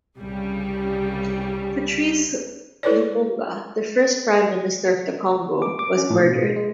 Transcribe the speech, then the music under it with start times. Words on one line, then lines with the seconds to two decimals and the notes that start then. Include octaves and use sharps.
Patrice Lumumba, the first Prime Minister of the Congo, was murdered.
0.18 C2 C#3 G3
2.83 E4 A4 B4 C#5 D5
5.62 D6
5.79 D6
5.98 C#4
6.10 A2
6.22 B2
6.43 G#3
6.56 G#3